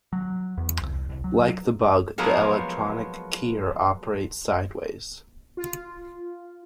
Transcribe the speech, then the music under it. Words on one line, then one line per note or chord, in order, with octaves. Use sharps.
Like the bug, the electronic keyer operates sideways.
F#3
E2
C2
C2
F#3
F3 F#3 G#3 A#3 B3 A#4
F4